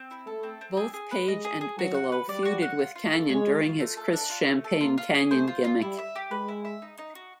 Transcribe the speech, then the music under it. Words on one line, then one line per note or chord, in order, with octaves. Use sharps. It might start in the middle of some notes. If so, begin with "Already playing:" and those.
Both Page and Bigelow feuded with Kanyon during his Chris "Champagne" Kanyon gimmick.
Already playing: C4
E4
A3 A4
C4
C4
G#4
G#4
B4
G#3 D#5
G#4
G#4
F#3 F#4
F#5
B4
G3 D5
F#4
F#5
F4
F4
A4
G#3 C#5
F4
F4
A3
A4
D4
F4
A3
A4
A#3 F4
F4
G#4
A3 C5
F4
F4
G3 E4
E5
G4
G#3 B4
E4
E5
D#4
D#4
F#4